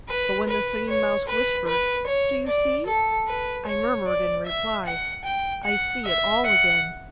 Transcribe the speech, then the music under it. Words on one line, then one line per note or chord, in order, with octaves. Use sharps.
But when the Singing Mouse whispered, "Do you see?" I murmured in reply, "I see it all again!"
B4
B4
C#5
B4
B4
C#5
D5
A4
B4
C#5
D5
E5
F#5
G5
F#5
E5
F#5